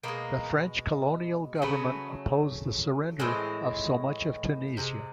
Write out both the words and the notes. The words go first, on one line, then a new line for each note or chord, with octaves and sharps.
The French colonial government opposed the surrender of so much of Tunisia.
B2 G#3 A#3
C#3 F#3 A3 B3
A2 E3 G#3 C4
C3 D#3 G#3